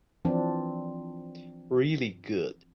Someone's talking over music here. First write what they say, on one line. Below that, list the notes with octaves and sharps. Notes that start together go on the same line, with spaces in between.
Really good.
E3 F3 C4 D4